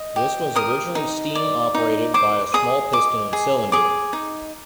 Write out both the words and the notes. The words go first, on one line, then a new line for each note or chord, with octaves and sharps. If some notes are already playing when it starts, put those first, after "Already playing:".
This was originally steam-operated by a small piston and cylinder.
Already playing: D#5
G4
A#4 D#6
D#4
D5
D#4
C5 D6
G#4 D#6
D#5 D6
G#4
G#4 D6
D#4